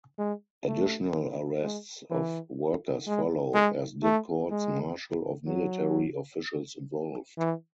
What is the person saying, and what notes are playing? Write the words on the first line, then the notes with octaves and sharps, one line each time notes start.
Additional arrests of workers followed, as did courts martial of military officials involved.
G#3
A3
G#3
E3
G#3
G#3
A3
G#3
F#3
E3